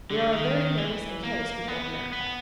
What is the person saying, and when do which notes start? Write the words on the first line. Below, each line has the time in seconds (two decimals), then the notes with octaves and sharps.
We are a very nervous and careless people in America.
0.11 D3
0.33 D#3
0.77 E3
1.23 A#3
1.68 B3
2.13 B3